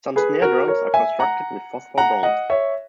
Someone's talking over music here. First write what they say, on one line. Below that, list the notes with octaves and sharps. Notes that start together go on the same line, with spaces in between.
Some snare drums are constructed with phosphor bronze.
G#4 B4
F#4 A#4
A#4 C#5
E5 G#5
F#5 A#5
F#5 A#5
D#5 F#5
C#5 E5